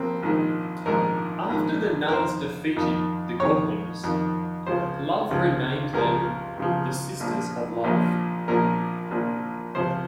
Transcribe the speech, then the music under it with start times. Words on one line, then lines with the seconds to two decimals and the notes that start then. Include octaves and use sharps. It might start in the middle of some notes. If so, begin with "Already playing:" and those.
After the Nuns defeated The Godwinns, Love renamed them the Sisters of Love.
Already playing: A#1 A#3 C4
0.23 A#1 G#2 D#3
0.86 A#1 G#2 D#3 A#4
1.49 A#1 G#2 D#3
2.08 A#4
2.12 F2 D#3 C5
2.76 F2 D#3
3.39 F2 D#3 C#5
4.04 F2 D#3
4.67 C#2 C#3 F3 C5
5.31 C#2 C#3 F3
5.93 C#2 C#3 F3 A#4
6.57 C#2 C#3 F3
7.20 A#1 A#2 F3
7.84 A#1 A#2 F3
8.48 A#1 A#2 F3 A#4
9.11 A#1 A#2 F3
9.75 C#2 C3 F3 C5